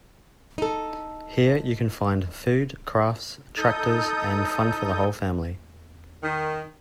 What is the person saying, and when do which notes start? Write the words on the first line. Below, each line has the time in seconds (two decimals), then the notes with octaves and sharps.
Here you can find food, crafts, tractors, and fun for the whole family.
0.58 D#4 A4
3.58 D#4 A4 D#6 G6
6.22 D#3